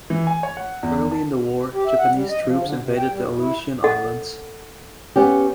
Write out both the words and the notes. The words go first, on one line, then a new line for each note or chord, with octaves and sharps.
Early in the war, Japanese troops invaded the Aleutian Islands.
E3
G#5
C#5
F#5
E2
A5
G4
E5
F#5
G3
D#5
F3
D3
C3
G5
G3
F2
E4
A4 D#5 F#5
B3 C#4 G4